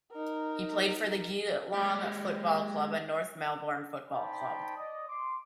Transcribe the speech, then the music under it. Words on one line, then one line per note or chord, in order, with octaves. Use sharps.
He played for the Geelong Football Club and North Melbourne Football Club.
D#4 A#4
G#3 G4
D#4 C5 D5 G5 A5 B5
D5 D#5
C6 D6